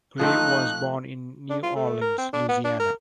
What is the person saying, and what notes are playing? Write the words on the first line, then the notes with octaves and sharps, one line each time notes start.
Gray was born in New Orleans, Louisiana.
F3 A3 C4 D#4 F#6
D4
F4
A3
A#4
C4
D4
B3
D4
A#4